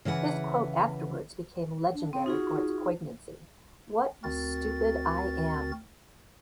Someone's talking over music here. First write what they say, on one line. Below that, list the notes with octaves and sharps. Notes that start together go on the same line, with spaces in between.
His quote afterwards became legendary for its poignancy: What a stupid I am!
C#3 E3 B4 F#5
D4
C4 G5
D#4 F4 F#4 G#4
D2 C4 F#4 A#4 A6